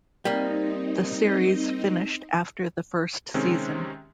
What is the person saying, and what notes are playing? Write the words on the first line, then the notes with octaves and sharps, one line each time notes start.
The series finished after the first season.
G3 A#3 C4 D#4 D#5
C3 D#3 G#3 C4 C#4